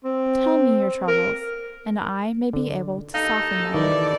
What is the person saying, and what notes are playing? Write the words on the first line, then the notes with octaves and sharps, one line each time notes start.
"Tell me your troubles, and I may be able to soften them."
C4
A#4
D3
D#2 D#4 A4 F5 A5
D#3 E3 E4 D5